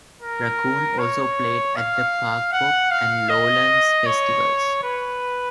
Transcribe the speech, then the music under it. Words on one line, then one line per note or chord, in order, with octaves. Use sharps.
Racoon also played at the Parkpop and Lowlands festivals.
A#4
C#5
F5
F#5
F5
D#5
C#5
B4